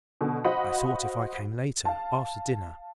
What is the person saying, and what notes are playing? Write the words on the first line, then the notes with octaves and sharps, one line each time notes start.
I thought if I came later, after dinner.
B2 D3
F#4 C5 D#5 F5 F#5 B5
F5 A5